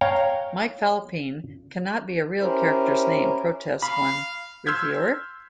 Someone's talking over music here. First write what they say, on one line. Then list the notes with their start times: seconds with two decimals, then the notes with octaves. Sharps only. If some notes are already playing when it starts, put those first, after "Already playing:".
"Mike Fallopian cannot be a real character's name," protests one reviewer.
0.01 C#5 F5 G5 A#5
2.40 C#4 E4 G4 A#4 C5
3.82 F5 B5
4.66 C6 E6 F6 G6 G#6 B6